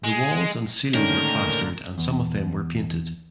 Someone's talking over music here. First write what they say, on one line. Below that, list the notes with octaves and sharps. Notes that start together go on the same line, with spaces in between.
The walls and ceiling were plastered and some of them were painted.
G#3
A2 D3 D#3 A#3 C#4 A#4
E2